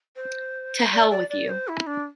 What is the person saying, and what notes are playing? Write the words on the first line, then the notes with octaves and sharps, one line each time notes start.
To hell with you!
C5
D5
D5
D5
C5
E4
D4